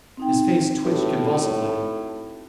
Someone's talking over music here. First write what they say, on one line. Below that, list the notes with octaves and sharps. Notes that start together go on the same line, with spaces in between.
His face twitched convulsively.
C4 D#4 G5
A2 F#4 G4 B4